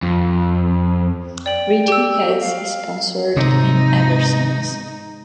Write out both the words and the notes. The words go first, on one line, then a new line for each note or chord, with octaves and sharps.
Ritchey has sponsored him ever since.
F2
D5 G5 F#7
G4 E6
F#4
F5
G#2 C3 D#4